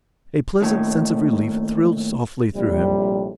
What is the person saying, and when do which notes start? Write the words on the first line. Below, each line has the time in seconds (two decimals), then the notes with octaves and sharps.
A pleasant sense of relief thrilled softly through him.
0.61 D#2 A2
2.55 A#1 A2 C3 G3